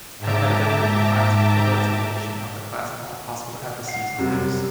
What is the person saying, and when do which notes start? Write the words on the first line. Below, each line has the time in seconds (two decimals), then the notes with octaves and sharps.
Compatibility defines an equivalence relation on the class of all possible atlases on "X".
0.18 G#2 E5 G5 A5 A#5 D6
3.87 F#5 C7
4.18 F#2 C3 G3